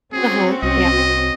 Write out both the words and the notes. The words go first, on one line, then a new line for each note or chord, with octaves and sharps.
Uh-huh, yeah.
C4 C#4 F#4 G#4
C2 D#5